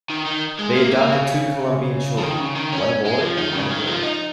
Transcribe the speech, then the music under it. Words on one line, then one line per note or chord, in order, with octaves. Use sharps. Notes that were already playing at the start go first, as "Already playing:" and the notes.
They adopted two Colombian children, one boy and one girl.
D#3
D#3
G#3
A#3
A#3
C#3
F3
D#3
C#3
D#3
C#4
G#3
F3
D#3
C#3
D#3
F3
D#4